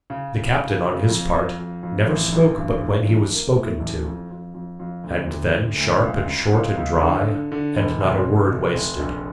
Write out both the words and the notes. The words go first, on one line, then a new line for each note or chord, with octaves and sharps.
The captain, on his part, never spoke but when he was spoken to, and then sharp and short and dry, and not a word wasted.
C#3
C#3
C#3
C#3
F2
F2
F2
F2
A1
A1
G2
D3
A1
A#3
A2
A1
F2
F2
F2
F2
D2
D2
D2
D2
C#2
C#3
C#2
C#2
D3
D3
D3
E1
F1
F1
F1
F1
A#1